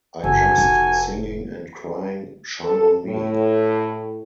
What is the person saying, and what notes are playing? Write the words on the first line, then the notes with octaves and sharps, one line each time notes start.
I just singing and crying 'Shine on Me'...
F#1 F#4 A4 G#5
F1
A4
A2